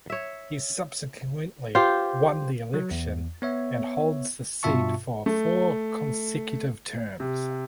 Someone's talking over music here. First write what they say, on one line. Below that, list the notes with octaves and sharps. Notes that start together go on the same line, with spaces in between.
He subsequently won the election and holds the seat for four consecutive terms.
C#5 E5
F4 G4 C5
F#3
E2
B3 C#5 E5
G2 B2 F4 E5 A5 C#6
A3
C3